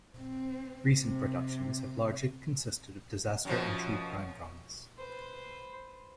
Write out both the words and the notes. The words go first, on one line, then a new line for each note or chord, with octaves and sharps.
Recent productions have largely consisted of disaster and true crime dramas.
C4
C3
F#2 B2 F3
B4 C5